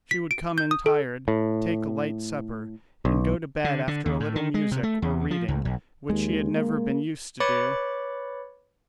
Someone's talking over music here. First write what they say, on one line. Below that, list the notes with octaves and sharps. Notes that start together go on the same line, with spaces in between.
She would come in tired, take a light supper, and go to bed after a little music or reading, which she had never been used to do.
B6
D7
G6
D#6
A4
A2
B1
D3
D3
D#2
A2
D#3
G#3
C3
A3
E2
F3
C#2
B1
D#2 G#3
A#3
B4 C#5 B5 D6 A6 C#7